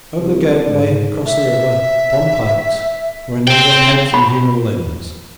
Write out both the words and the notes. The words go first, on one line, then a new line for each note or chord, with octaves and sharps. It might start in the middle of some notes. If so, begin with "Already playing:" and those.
Over the gateway across the river, upon pikes, were a number of heads and human limbs.
C2
G#2
E5
C4 G5
B5